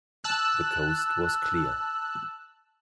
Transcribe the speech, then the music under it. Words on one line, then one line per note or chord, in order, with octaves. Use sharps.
The coast was clear.
A5 E6 F#6